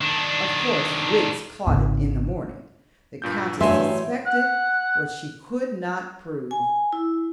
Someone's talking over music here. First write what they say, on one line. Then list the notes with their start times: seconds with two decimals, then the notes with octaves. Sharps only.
Of course Wiggs caught it in the morning; the Countess suspected what she could not prove.
0.01 D#3 D4
1.67 G#1 C#3
3.22 G2 A#2 G6
3.61 A1 G2 F#3 E5 G#5 C6 E6
4.26 F#5
6.51 G#5
6.93 E4